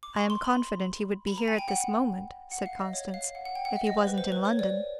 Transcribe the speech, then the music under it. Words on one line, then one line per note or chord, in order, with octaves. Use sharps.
"I am confident he would be here at this moment," said Constance, "if he wasn't in London."
D6
C#6
C6
B5
B5
A#5
G#5
G5
F#5
F#5
F5
D#5
C#5
F5
F#5
F#5
G5
F#5
E5
D#5
C5
B4
C5
B4
C#5
D5